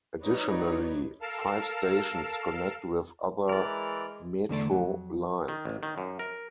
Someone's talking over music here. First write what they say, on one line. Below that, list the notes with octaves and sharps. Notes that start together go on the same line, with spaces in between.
Additionally, five stations connect with other metro lines.
F#3 D#4 F#4 B4 C#5 D5
A4 A#4 F5 A5
E3 G#3 A#4 D5
E2 D3 A3 D5
F2 G#2 F#3
D#3
A1
D#3
F#2
A#4